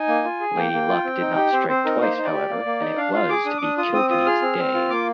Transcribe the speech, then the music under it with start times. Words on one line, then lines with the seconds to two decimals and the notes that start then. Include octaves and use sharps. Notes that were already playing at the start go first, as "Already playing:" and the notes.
Lady Luck did not strike twice however and it was to be Kilkenny's day.
Already playing: D#4 G#5
0.08 A#3
0.24 F4
0.40 G#4
0.56 A#3 G5
0.73 A#3
0.89 F4
1.05 C4
1.21 D#4
1.36 G4
1.53 C4 C5
1.69 C4 C5
1.85 D#4 A#4
2.01 A#3 C5
2.17 D#4
2.25 D5
2.33 G4
2.49 A#3
2.65 A#3
2.81 D#4
2.97 D4 F5
3.14 F4 F5
3.29 G#4 D6
3.45 D4 D#6
3.58 D6
3.61 D4 D#6
3.78 F4 D#6
3.93 C4 D#6
4.10 F4 D#6
4.26 G#4 F6
4.42 C4
4.58 C4
4.74 F4
4.90 A#3 D6